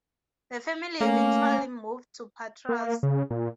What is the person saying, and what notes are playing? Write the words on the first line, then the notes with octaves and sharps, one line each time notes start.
The family eventually moved to Patras.
A3 A#3 C#4
A#3
C#3
A#2